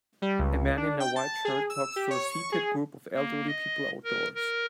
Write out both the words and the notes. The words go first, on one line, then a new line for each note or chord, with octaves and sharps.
A man in a white shirt talks to a seated group of elderly people outdoors.
G3
C#2
D4
G5
A5
G#4
E6
G4
C#5
C#6
G#4
A#3
D#5
A#4
A#4